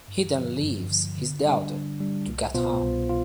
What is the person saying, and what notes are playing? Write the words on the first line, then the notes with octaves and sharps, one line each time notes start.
He then leaves his daughter to Gautham.
G2
D3 F3
G2
D3 F3
D3
G3 D4
D3
G3 D4
C2
B2 B3 F4 C5
C2
F4